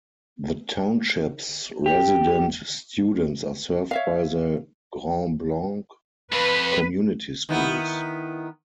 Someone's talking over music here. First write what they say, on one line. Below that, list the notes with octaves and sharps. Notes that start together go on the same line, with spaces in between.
The Township's resident students are served by the Grand Blanc Community Schools.
G4
C#5 E5 F5
F2 B4
D#3 B3 E4